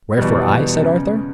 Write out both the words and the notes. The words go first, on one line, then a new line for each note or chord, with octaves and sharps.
"Wherefore I?" said Arthur.
E2 B2 G3
C#3